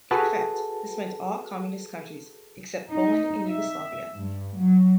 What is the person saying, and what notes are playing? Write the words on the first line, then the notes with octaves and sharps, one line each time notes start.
In effect, this meant all communist countries, except Poland and Yugoslavia.
F#4 G#4 A4 B4 A5
D#4
E5
G2
F#3